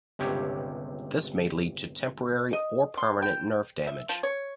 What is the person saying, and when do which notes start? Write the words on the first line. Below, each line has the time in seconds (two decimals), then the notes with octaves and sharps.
This may lead to temporary or permanent nerve damage.
0.19 G1 C#2 C3 G4 C#5
2.53 D#5
2.97 C6
3.22 G5
3.87 E5
4.09 F3
4.23 C#5